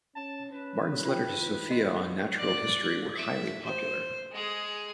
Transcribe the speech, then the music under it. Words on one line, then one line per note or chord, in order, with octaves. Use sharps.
Martin's letters to Sophia on "Natural History" were highly popular.
C#4 A5
C#4 B4
F4 G5
E3
D#5 C6
D5 F#6
E5
C5
G#3 G#4